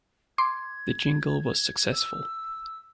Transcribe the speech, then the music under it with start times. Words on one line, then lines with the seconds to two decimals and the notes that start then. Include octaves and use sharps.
The jingle was successful.
0.38 C6 D6 G#6
1.91 E6